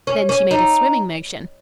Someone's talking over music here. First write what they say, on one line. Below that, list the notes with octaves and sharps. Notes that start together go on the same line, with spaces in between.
Then she made a swimming motion.
C#4
C#4
D#4